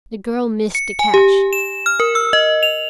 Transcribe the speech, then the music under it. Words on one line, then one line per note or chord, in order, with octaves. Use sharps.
The girl missed the catch.
C#7
G#5
G4
E7
F6
A#4
E6
D#5
F7